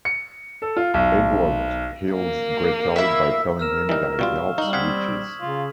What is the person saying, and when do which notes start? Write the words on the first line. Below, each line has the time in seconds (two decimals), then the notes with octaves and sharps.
Edward heals Gretel by telling him that he helps witches.
0.05 C#7
0.62 A4
0.76 F4
0.94 B1
2.12 A#3
2.96 E4 E5
3.59 A#4 E6 F6 E7
3.89 E3 G3 D#4
4.19 B2 G3 F4 F5 C#6
4.58 G3 D#4 C#6 F#7
4.73 C4 F5 F#5 D#6 G#6 B6
5.41 C#3 F4